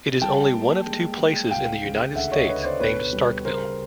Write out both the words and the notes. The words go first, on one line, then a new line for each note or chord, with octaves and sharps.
It is only one of two places in the United States named Starkville.
G3 G5 A5
A#3
G#3
G#3
C#2 F5 G5
C#3
D2 E5 F#5
C#5 D#5
D2 B4 C#5
C5 D5
B2 B4 C#5
G3
C#3 A#4 C5